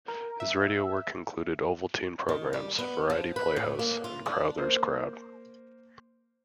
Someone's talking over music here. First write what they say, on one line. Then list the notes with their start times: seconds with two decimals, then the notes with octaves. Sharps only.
His radio work included Ovaltine programmes, "Variety Playhouse" and "Crowther's Crowd".
0.08 A#4
0.40 E5
2.29 D#3
2.53 G3
2.79 B3
3.10 F3
3.36 B4
3.56 A2
3.79 A#3
4.04 F4
4.26 D4
4.57 A#3 C5